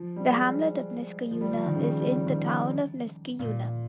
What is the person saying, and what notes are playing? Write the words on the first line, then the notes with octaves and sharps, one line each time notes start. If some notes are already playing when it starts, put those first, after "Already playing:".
The hamlet of Niskayuna is in the town of Niskayuna.
Already playing: F3
G3
G#3
F3
G3
F3
D#3
C#3
D#3
G3
F3
D#3
F3
A#2